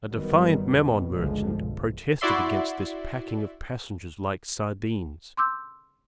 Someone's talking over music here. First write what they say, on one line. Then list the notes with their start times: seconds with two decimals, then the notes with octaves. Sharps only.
A defiant Memon merchant protested against this packing of passengers like sardines.
0.13 G1 D#3 F#3 G3 B3
0.68 E2 B2
1.13 G1 C#2 D3 F3 G#3
1.55 B1
2.21 E4 F#4 D5 E5 C6
5.37 C6 D6 E6 G6